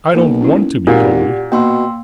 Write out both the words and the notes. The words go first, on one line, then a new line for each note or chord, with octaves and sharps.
I don't want to be holy.
B1 A#3 A#4
C#4 E4
G#1 A#2 F#4 G4 D5 F#5
B2 A#3 G5 C6 E6